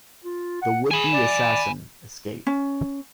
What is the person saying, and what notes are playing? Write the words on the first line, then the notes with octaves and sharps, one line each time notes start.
The would-be assassin escaped.
F4
F#5
G#4 G#5 B5
D5
C#4